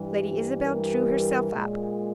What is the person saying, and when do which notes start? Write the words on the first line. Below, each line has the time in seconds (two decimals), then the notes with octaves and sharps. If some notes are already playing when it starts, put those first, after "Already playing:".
Lady Isabel drew herself up.
Already playing: G2 E3 G3
0.63 A#4
1.53 A#2 G#3